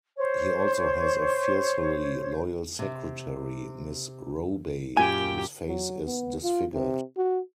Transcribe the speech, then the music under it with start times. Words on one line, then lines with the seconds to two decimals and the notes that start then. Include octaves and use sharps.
He also has a fiercely loyal secretary, Miss Robey, whose face is disfigured.
0.17 C5 C#5
2.79 C3
4.97 F#2 A#2 F4 G4 G5 G#5
5.67 F#3
6.05 B3
6.43 F4
6.74 C3
7.17 F#4